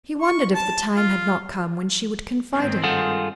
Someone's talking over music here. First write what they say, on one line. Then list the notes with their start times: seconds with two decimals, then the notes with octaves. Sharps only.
He wondered if the time had not come when she would confide in him.
0.22 C#6
0.55 A5
0.96 F4
2.53 G#2 D#3 C4
2.84 G2 F4 G#4 A4 F#5